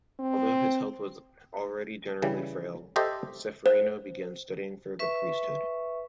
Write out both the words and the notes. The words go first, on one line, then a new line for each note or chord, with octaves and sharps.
Although his health was already generally frail, Ceferino began studying for the priesthood.
C4
C#3 E3 G3
G4 A4 C5 D#5 E5
C5
B4 E5 C#6